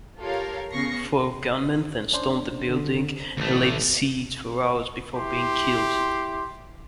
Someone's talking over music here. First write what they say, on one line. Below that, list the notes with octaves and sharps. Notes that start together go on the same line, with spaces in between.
Four gunmen then stormed the building and laid siege for hours before being killed.
F4 G4 A4 A#4 C#5 F5
C#3 B3 C#4 C#6 A#6 C7
C#4 D4 C5
D3
A1 D2 A3
E4 G4 C6